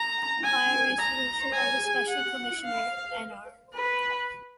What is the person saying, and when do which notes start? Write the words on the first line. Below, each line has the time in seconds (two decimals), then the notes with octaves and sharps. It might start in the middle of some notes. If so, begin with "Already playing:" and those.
By resolution of the Special Commissioner Nr.
Already playing: A#5
0.44 G#5
0.99 A#5
1.54 G#5
2.09 F#5
2.64 F5
3.74 B4